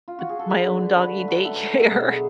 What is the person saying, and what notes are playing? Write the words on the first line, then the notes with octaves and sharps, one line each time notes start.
m my own doggy daycare.
F4
F#4
G#4
A4
D3 B4
D3
D3
D3 B4
A3
F#3
A3 A4
F#3
B2 A4
B2 G#4
F#3